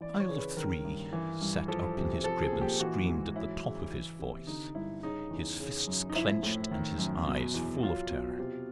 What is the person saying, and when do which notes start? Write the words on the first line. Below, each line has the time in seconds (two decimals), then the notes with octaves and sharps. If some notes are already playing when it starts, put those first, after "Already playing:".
A CHILD of three sat up in his crib and screamed at the top of his voice, his fists clinched and his eyes full of terror.
0.01 E3 D5
0.20 C#5
0.29 C#3
0.38 B4
0.57 D#3 A#4
0.85 G2
1.13 E3
1.41 G2
1.68 F3 A4
1.97 C3
2.24 F3 A4
2.42 G#4
2.52 A#2
2.61 G4
2.80 E3 F#4
3.09 G#2
3.36 F#3 E4
3.64 C#3
3.92 E3
4.19 C3
4.47 D3 D#4
4.75 G2 E4
5.03 C#3 D#4
5.31 E2
5.60 C#3
5.87 F#2
6.10 D#4
6.16 F3 E4
6.43 A2
6.71 D#3
6.98 F#2
7.27 B2
7.54 E2
7.83 F#3 F4
8.10 B2
8.39 C3